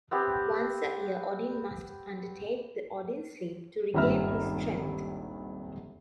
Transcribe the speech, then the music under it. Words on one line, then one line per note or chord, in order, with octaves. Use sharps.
Once a year Odin must undertake the Odinsleep to regain his strength.
B3 C4 G4
D#1 G#1 G2 E5 A#5 F6